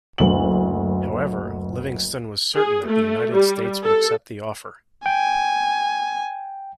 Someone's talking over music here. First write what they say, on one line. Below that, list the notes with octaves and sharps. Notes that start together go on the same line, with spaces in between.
However, Livingston was certain that the United States would accept the offer.
F#1 D2 F#7
G#4
A3
G3
A4
G5 G#5